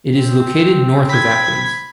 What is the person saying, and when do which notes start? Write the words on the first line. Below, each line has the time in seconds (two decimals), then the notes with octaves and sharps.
It is located north of Athens.
0.15 C4
1.09 B5 G#6